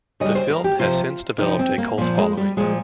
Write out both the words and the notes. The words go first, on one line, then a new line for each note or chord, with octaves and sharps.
The film has since developed a cult following.
C#3 G3 D#5
C5
A#4
G4
C3 F3 F4
C3 F3 D#4
C4
A#3
A#2 F3 A#3
G#3
G3
A#2 F3 G#3